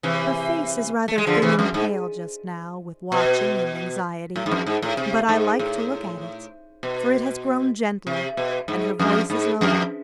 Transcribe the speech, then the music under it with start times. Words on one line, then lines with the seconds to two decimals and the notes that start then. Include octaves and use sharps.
Her face is rather thin and pale just now, with watching and anxiety, but I like to look at it, for it has grown gentler, and her voice is lower.
0.03 C3 E3
1.08 A3
1.18 G#3
1.27 D3 F3
1.42 C3 E3
1.59 F2
1.74 G#2
3.12 B2
4.36 A2
4.46 G#2
4.51 F2
4.67 G#2
4.83 A2
4.97 C3
5.29 G#2
5.59 A2
6.83 B2
8.07 C3
8.37 B2
8.68 G#2
8.99 F2
9.30 G#2
9.61 F2